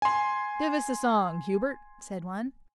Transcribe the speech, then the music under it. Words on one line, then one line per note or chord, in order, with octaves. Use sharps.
"Give us a song, Hubert," said one.
G#5 C6